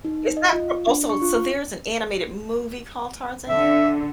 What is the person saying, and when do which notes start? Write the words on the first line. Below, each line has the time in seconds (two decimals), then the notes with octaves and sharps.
Is that from also, so there's an animated movie called Tarzan?
0.05 D#4
0.37 D#5
0.53 F4
0.87 D4
1.09 C#6
1.22 F4
3.49 D3 E5